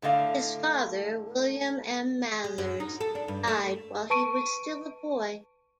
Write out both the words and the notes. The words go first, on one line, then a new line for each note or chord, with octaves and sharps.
His father, William M. Mathers, died while he was still a boy.
A2 D3 D#5 F5
G#3
F#2
D#4
A4
D4
G2
A3
B4 A5 C#6 D7 D#7